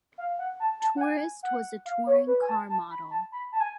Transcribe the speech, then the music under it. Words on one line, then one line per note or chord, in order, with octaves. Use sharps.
Tourist was a touring car model.
F5
F#5
A5
A5
F#5
G#5
F#5
F5
C#5
B4
G#5
A5
A5
B5
A5
B5
A5
G#5